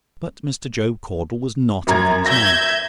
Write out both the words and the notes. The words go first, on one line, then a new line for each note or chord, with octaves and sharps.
But Mr. Job Caudle was not of these men.
F#2 A#5 G#6
E5 G6 G#6 A#6